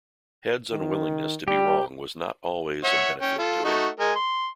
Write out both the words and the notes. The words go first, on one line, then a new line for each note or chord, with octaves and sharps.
Head's unwillingness to be wrong was not always of benefit to him.
D#3
G3 G4
C#5 E5 F#5
C#4 G5
F4 A4
A3 D#4 F#4
G#3 A#4 G#5
C6